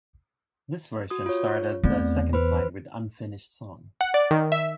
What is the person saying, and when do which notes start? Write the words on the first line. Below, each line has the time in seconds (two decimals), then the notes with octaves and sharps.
This version started the second side with "Unfinished Song".
1.10 F#4 D#6
1.26 F4 C#5
1.84 E2 A3 C4 D5
2.33 B4 C5 B5
4.01 F#5
4.14 D5
4.31 D#3
4.52 E5